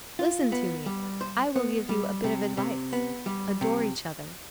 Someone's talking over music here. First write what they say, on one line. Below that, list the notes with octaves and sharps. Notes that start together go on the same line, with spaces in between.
Listen to me; I will give you a bit of advice: Adore each other.
F4
B3
G3
C5
B3
G3
C3
C3
B3
G3
C3